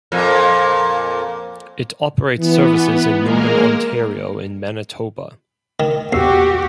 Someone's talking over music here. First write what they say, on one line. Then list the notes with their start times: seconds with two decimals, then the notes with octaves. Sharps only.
It operates services in northern Ontario and Manitoba.
0.12 F2 A#2
2.39 E3 B3
3.18 G#3 A#3 A#4
5.80 D#3
6.13 A#1 E2 F#4 G4 E6 C7